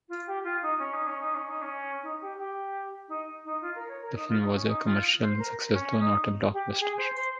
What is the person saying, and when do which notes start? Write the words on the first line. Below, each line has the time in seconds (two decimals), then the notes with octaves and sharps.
The film was a commercial success, though not a blockbuster.
0.09 F4
0.27 G4
0.44 F4
0.62 D#4
0.79 C#4
0.93 D#4
1.07 C#4
1.21 D#4
1.34 C#4
1.49 D#4
1.62 C#4
2.03 D#4
2.21 G4
2.38 G4
3.08 D#4
3.45 D#4
3.61 F4
3.75 A#4
3.88 C#5
4.02 A#4
4.15 D#4
4.28 F4
4.41 D#4
4.54 C#4
4.68 D#4
4.85 F4
5.21 C5
5.39 A#4
5.73 C#4
6.00 D#4
6.53 G4
6.80 G#4
6.98 C5
7.16 C5